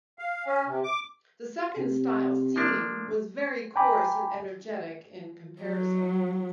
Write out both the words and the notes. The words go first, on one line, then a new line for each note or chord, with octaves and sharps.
The second style seen was very coarse and energetic in comparison.
F5
C#4
C3
D6
C3
F3 A#3 D4
G5 G#5 A#5 B5 D6
F#3